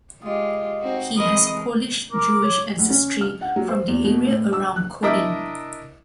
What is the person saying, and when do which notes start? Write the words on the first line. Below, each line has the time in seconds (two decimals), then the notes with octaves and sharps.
He has Polish Jewish ancestry, from the area around Konin.
0.22 G#3 F4 G4 D#5 D#6
0.81 C4 D#4 F#4
1.18 E3 G#3 C4 A#4 D#5 B5
2.12 A#4 D6
2.43 C#5
2.78 D2
2.90 C#4
3.21 F6
3.41 F#5
3.56 F#3
3.69 C5
3.88 E2
4.05 B2
4.26 A2
4.53 E6
4.76 F#6
5.03 D4 E4 A#4 D#5 E5